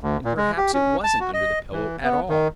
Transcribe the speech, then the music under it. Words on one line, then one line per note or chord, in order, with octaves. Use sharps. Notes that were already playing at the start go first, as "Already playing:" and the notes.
And perhaps it wasn't under the pillow at all....
D2
A#2
G#3
G4
C#4
A5
F#4
D#5
E3
B3
D#3